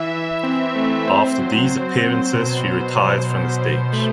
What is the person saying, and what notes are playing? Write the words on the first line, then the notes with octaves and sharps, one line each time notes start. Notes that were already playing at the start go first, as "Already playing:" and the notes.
After these appearances she retired from the stage.
Already playing: E3 E5
E3
C4
A3
C4 C5
F#3
C4
F#3
B2
B2
B2
B2
B2
A3